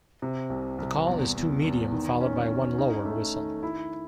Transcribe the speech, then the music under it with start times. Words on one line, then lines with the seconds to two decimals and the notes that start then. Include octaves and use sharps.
The call is two medium followed by one lower whistle.
0.22 C3
0.50 C2
0.78 C2
1.07 E2
1.35 E2
1.64 E2
1.92 D#3
2.21 C#4
2.49 C#4
2.78 D#4
3.05 A3
3.34 D#3
3.63 E4